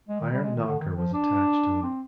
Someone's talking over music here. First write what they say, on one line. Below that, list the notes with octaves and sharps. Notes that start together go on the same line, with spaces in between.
An iron knocker was attached to it.
G#3
D#3
G3
G#3
D#3
D3
D#3
F3
D4
C4